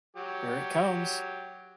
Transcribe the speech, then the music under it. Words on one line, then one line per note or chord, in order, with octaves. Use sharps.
Here it comes!
F#3 G4